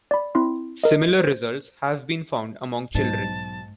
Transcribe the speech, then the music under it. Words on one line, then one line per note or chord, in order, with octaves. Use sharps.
Similar results have been found among children.
D5 B5
C4 E4 B5 C6
A#4 D#5
C5
B1 G#2 F#3 C5 A5